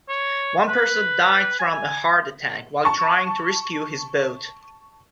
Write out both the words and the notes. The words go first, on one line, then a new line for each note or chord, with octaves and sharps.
One person died from a heart attack while trying to rescue his boat.
C#5
B4
G#5
A5 C#6